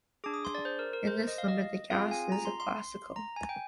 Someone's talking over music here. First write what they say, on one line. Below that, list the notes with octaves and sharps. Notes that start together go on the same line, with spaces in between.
In this limit, the gas is classical.
D4 G#4 D6
D#6
C6
D5
C5
A#4
A#4
C5
D#5
F5
D#5
C4 F4 G#4 F5
G#5
A#5
C6
C6
A#5
G#5
G5